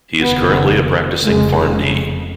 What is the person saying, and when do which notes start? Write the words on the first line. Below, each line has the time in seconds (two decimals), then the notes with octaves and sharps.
He is currently a practicing Pharm.D.
0.22 F1 D#2 C#3 B3
1.23 F1 F2 C#3 G#3